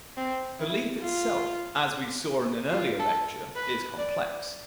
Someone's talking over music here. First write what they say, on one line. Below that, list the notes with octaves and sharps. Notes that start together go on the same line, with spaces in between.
Belief itself, as we saw in an earlier lecture, is complex.
C4
E4
F4
F4
A4
B4
D5